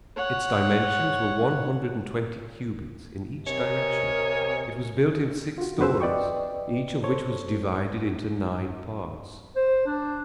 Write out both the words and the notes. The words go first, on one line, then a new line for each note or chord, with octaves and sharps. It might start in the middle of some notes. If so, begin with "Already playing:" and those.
Its dimensions were one hundred and twenty cubits in each direction. It was built in six stories, each of which was divided into nine parts.
C#5 F#5
C3 C4 A#4 C#5 D#5 G#5
F4 F#4
F#2 B3 F#4 B4 C5 E6
B4 D5 D#5 G5 C#6
A4 C5 C#5
C5
D4